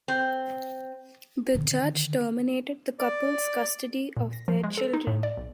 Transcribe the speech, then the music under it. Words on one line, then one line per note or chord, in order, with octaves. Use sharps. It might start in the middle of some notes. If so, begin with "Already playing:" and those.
The judge terminated the couple's custody of their children.
C4
D3 D#3
D5
A#2
A#6
F3
G#3
A4
D#4
A2
D5
B1